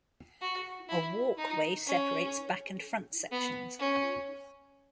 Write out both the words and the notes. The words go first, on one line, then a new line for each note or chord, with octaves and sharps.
A walkway separates back and front sections.
F#4
E4
D#4
C#4
B3
C#4